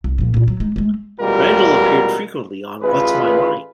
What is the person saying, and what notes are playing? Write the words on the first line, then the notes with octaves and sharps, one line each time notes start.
Randall appeared frequently on What's My Line?
C2
A#2 F3
A#2 E4
F#3
G#3 D#4
G#3 A3
A1 B2 G3 G#3 F4 A#4
A1 F4 G#4 B4